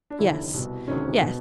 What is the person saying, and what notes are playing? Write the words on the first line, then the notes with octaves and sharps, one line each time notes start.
Yes, yes.
D4
F1 D#2 D3 E4
C2 B2
E1 D2 C3 D#3 C#4
B2